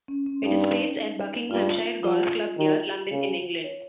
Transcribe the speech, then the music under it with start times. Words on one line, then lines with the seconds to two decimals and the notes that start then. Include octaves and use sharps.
It is based at Buckinghamshire Golf Club near London in England.
0.08 C#4
0.26 C#4
0.44 G2 D#4
1.50 G2 F4
2.04 F3 F4
2.58 D#3
3.11 C#3
3.64 C#5